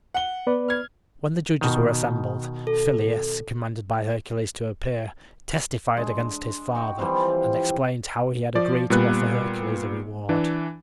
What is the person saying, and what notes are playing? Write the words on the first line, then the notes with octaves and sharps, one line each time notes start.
When the judges were assembled, Phyleus, commanded by Hercules to appear, testified against his father, and explained how he had agreed to offer Hercules a reward.
F#5 G7
B3 B4 D5
F6 G#6
B2 D#3
A4
G#3 D4
D#4 F#4 G5
E3 F3 G3 C4
F3 D5
A#2 G3 B3 B4 F#6
E3 D4